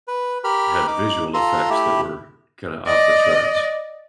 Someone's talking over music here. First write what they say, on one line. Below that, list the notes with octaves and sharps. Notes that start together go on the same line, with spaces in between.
had visual effects that were kinda off the charts.
B4
G4 A#4 B5 F6
D#4 D6
F4 A4 A#5 C6
A3 E4 G4
D5 D#5